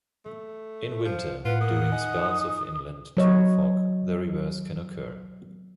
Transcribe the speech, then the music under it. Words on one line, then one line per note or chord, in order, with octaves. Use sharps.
In winter, during spells of inland tule fog, the reverse can occur.
A3
F3
A2 F4 B4 F#5
A#3 D#6
D#4 G#5
F#3 C#5 D#5